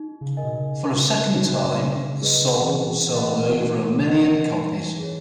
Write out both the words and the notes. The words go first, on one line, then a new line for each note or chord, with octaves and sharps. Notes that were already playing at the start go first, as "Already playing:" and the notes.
For a second time, the song sold over a million copies.
Already playing: D#4
C#3
A#4 D#5 G#5
B2
C#3
D#4
F#4 C#5
D#4
G#4 B4 D#5
D#3
E3 G#4
D#5 F#5
D#4
A#4 D#5 F#5
D#4
G#4 C#5